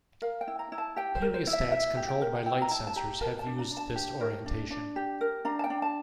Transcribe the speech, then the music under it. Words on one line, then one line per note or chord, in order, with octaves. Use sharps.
Heliostats controlled by light-sensors have used this orientation.
A#4 F5
G5
E4
A#5
E4
A5
G4 G5
C5
A#4
C5
E4
E5
E4 E5
G4
G5
A#4
E4 G5
A#5
E4 A5
A5
G4 A#5
A#4 A5
A5
D4
A#5
D4
A5
G4
A#4
D4
D4
G4
A#4
D4 A#5
A5
G5
D4
A5